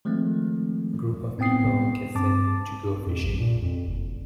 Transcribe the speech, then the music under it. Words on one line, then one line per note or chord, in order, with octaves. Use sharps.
A group of people get set to go fishing.
D#3 F3 G#3 A3 C4
A2 B3 C4 G5 D#6 C7
G2 C4 A5 D6 A6
F2
A1
A#2
F2
F#1